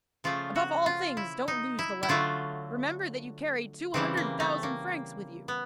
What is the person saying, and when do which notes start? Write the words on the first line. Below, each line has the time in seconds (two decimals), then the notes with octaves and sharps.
"Above all things, don't lose the letter! remember that you carry two hundred thousand francs with you!"
0.24 C#3 F3 A3 F4
0.56 F#4
0.86 F4
1.17 E4
1.48 D#4
1.79 E4
2.03 E4
2.09 D3 F#3 A3 F4
3.94 C#3 E3 G3 C4
4.17 A#3
4.40 A3
4.63 A#3
5.48 B3